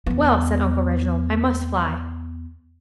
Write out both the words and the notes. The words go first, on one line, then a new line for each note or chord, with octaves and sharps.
'Well,' said Uncle Reginald, 'I must fly.
E2 B3